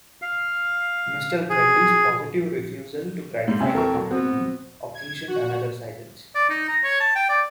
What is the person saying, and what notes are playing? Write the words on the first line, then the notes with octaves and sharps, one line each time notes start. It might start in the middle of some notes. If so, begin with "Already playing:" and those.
Mr. Grundy’s positive refusal to gratify the company occasioned another silence.
F5
G#4
G#2
C#3 C4 C#4 E5 G#5
E2 A4 A#4 C#6
F#3
B3 C4 F#4
G#6
F#4
D5
D#4
A#5
C#5
A5
G5
D5